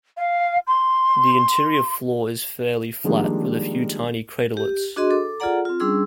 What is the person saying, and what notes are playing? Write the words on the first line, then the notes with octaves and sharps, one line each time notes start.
The interior floor is fairly flat, with a few tiny craterlets.
F5
C6
D#3 F3 G3 G#3 A#3 D4
G4
D4 F#4 G#4 D#5 C6
A4 D6
F4 G#4 A4 D5 F#5 A#5
C4 F4
G3 C#4 D4 G#4 C6 E6